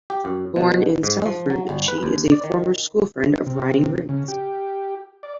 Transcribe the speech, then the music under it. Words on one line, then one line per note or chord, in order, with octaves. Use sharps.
Born in Salford, she is a former school friend of Ryan Giggs.
G4
F#2
B2
G#2
F3
F#3
G1
B4
D#2
D5
D#3
C3
C#3
G4
D5